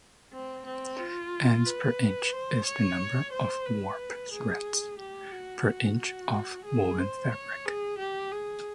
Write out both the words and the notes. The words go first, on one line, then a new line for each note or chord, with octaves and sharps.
Ends per inch is the number of warp threads per inch of woven fabric.
C4
C4
F4
B4
C5
C#5
C5
B4
G#4
G4
F#4
F#4
G#4
C5
C#5
G#4
G4
G#4